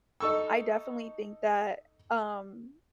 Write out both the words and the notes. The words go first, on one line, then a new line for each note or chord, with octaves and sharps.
I, definitely, think that, um,
D#4 A4 C#6 E6